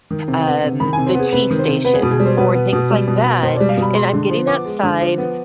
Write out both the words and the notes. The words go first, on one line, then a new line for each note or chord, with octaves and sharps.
um, the T station" or things like that, and I'm getting outside,
D#3
C3
B3
C3
D#3 B5
C3 G#5
C5
B3 G#4
C3 B4
D#3
C5
C3
B3 B4
G#4
B2 B4
G#4
G3
C5
B2 B4
B3
B2
G3
B2
B3
B2 C5
G3 D5
F5
B2 B5
G#3 C6
D3
F3
B3 D6
G#3
D3
F3
B3